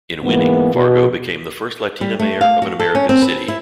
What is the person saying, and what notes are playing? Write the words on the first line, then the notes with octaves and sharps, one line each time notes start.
In winning, Fargo became the first Latina mayor of an American city.
G#2 E3 A#3 B3
B2
G3
A3
F5
F#4
A4
C#4
C4
B4
E4